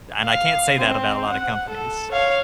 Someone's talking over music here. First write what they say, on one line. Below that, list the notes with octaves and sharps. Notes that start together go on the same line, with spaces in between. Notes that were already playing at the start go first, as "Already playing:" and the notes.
And, I can't say that about a lotta companies.
F5
C4
F#5
A4
C#5 F5